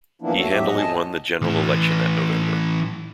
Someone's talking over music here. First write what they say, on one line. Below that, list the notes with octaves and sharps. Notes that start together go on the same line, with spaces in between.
He handily won the general election that November.
E3 F3 A#3 B3 D4 E4
A3 F#4 A4 C#5
E2 A2 F#3 G4 E5
D#5 F#5
D#5 G#5 A5
A2 E3